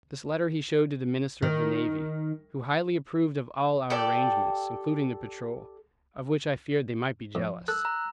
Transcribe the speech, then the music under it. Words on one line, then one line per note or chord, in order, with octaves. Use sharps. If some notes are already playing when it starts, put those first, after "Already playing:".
This letter he showed to the Minister of the Navy, who highly approved of all our arrangements, including the patrol, of which I feared they might be jealous.
D#3
G4 A4 D5 G5
F2
A4 E6 F#6
A#5